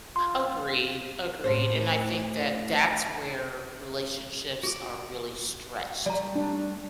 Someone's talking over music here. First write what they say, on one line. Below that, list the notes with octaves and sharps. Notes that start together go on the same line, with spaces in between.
Agreed, agreed. And I think that that's where relationships are really stretched
F4 C6
A2 C#4 C5
F#4 D6
G3 A3 D5 A#5
D4